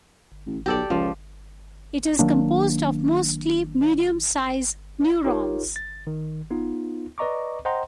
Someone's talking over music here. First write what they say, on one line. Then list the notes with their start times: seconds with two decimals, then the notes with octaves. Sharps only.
It is composed of mostly medium-size neurons.
0.46 A1
0.66 B1 G4 A4 D5
0.90 C#2 F3
2.19 D#3 F#3 A#3 D4
5.24 D#4 F4 G4 A#4 C#5
5.76 A6
6.07 D#3
6.51 B3 D#4 F4
7.18 B4 D5 D#5 A#5 C#6 D6
7.65 C5 D#5 F#5 G5 A#5 C6